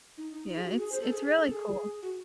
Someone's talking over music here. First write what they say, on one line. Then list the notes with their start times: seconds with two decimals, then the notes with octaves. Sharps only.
Yeah, it's it's really cool.
0.18 D#4
0.33 D#4
0.48 D#4
0.56 G#4
0.64 F#4
0.79 G#4
0.92 C5
1.01 A4
1.11 G#4
1.26 G#4
1.39 A4
1.53 G#4
2.03 F#4